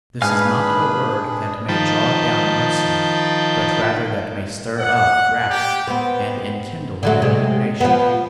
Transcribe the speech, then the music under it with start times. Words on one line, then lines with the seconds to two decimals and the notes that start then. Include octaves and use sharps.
This is not a word that may draw down mercy, but rather that may stir up wrath, and enkindle indignation.
0.22 G#2 D4 G#4 B4 F5 G#5 F6
1.69 D#3 F3 G5 A5 B5
4.79 F#5
5.50 G4
5.87 B3 C4
7.03 D3 F#3 A3
7.22 C3 G#3
7.81 F3 B3